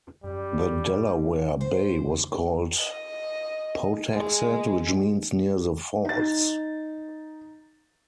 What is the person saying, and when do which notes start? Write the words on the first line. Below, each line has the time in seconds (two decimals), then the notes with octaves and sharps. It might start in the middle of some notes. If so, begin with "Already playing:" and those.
The Delaware Bay was called "Poutaxat", which means "near the falls".
0.24 F#2 G3
1.61 C5
2.80 D#5
4.13 G#3
6.05 D#4 A6